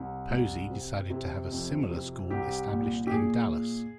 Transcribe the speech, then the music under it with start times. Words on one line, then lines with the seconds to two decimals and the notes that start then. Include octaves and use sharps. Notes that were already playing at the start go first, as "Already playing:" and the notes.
Posey decided to have a similar school established in Dallas.
Already playing: C2
0.30 C2
0.70 C3
1.10 C3
1.51 F2
1.91 C3
2.30 C2 G4
2.72 A#2
3.07 G4
3.11 A#2 G#4